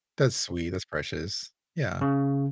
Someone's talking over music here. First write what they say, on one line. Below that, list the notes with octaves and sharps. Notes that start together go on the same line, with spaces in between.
That's sweet, that's precious. Yeah,
C#3